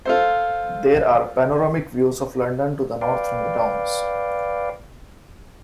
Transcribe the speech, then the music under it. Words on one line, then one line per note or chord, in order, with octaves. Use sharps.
There are panoramic views of London to the north from the Downs.
F4 A4 C5
B4 D5 F5 G5